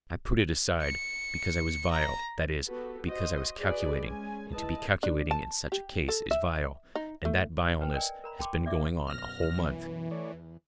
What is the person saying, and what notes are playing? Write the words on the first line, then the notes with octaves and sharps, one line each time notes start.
"I put it aside because I was vile, that is, because I was calculating, and to be calculating in such a case is vile ... and that vileness has been going on a whole month."
C#7
A#5
B3 F#4 G4 A4 B4
F#4 C5 D#5
F#4 G#4 B4 D5 D#5
G#3 C#4 G#5
E4 B4 D#5 A5
D4
A5
G4
A4
E5
D#4
A3
B4 G5 A5
A#4 D5 D#5 G5 G#5
A#4 A#5 B5
G5 A5 B5 C6 D6
D5 E5 D6
F#2 B2 F6 A#6
E3
A3 C#5 D5
E2